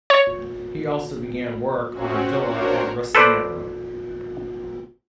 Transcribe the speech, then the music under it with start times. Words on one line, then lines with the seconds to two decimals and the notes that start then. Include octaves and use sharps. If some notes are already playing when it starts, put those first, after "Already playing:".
He also began work on a villa at Rusciano.
0.10 C#5
1.90 C4 C#4 F#4
2.42 D4 F#4 A#4 C5 C#5
3.15 A4 B4 C5 D5